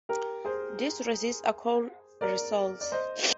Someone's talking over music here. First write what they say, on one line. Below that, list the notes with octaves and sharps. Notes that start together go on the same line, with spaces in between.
These resins are called resoles.
G4 A#4
G#4 C5
A#4 D5
D5
C5 D#5